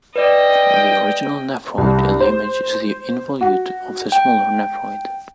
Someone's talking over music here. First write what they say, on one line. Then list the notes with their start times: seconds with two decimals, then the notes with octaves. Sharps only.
The original nephroid in the image is the involute of the smaller nephroid.
0.16 B4 D5 D#5 G5
1.78 C2
2.20 C5
3.41 F#4
4.12 G5